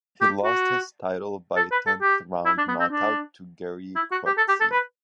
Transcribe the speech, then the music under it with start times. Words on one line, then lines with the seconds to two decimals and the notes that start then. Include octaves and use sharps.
He lost his title by a tenth-round knockout to Gerrie Coetzee.
0.21 G4
0.45 F#4
1.57 A4
1.72 B4
1.87 A4
2.02 G4
2.46 E4
2.58 D4
2.68 B3
2.80 C4
2.92 D4
3.96 E4
4.12 F#4
4.26 G4
4.38 A4
4.48 G4
4.61 A4
4.72 B4